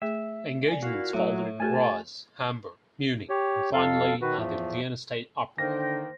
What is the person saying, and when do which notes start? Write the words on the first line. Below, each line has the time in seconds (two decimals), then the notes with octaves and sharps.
Engagements followed in Graz, Hamburg, Munich and finally at the Vienna State Opera.
0.02 A3 G#4 E5
0.68 D5 G#5
0.83 A#2 E4 F#4 F5
1.13 A2 F#3
1.60 C2 F3 A3 F#4 G#4 G#5 A5
3.29 G4 C#5
3.73 F2 A4 F5
4.21 D#3 F#4 B4
4.38 E2 A2 F3 A3
5.58 D3 D#3 A#3 C5 G5 A#6